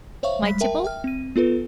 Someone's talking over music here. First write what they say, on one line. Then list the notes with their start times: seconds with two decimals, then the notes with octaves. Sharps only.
My tipple.
0.23 C5 C#5 E5 F5 C#6
0.42 G3 G#3 B5 B6
0.61 A#4 E5 G5 A5
0.84 E5 G5 F6
1.04 C4 D#7
1.36 B3 F4 A4 B4